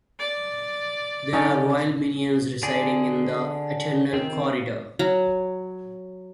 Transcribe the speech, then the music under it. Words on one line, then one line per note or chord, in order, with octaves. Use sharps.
There are wild Minions residing in the Eternal Corridor.
D5
D3 C#4 D#4
D3 G#4 D5
D#3 C4
F#3